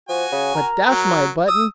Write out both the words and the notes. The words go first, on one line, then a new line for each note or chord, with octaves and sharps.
But dash my buttons!
F3 F#4 G#5
C#3
A#4
F#3
D#6 E6